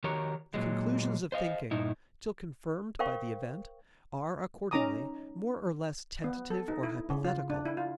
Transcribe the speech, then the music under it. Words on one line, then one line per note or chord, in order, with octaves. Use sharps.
The conclusions of thinking, till confirmed by the event, are, accordingly, more or less tentative or hypothetical.
D#3 F#4 G4 A#4 C#5 A#5
A#2 F#3 G#3
C5 D#5 F5
G2 A#2 D#4 E4
A#4 C5 F5 G5 C#6
C#4 D#4 A#5 D6 D#6
B3
A4
D#4
E4
C#3
F4
D4
E4
F4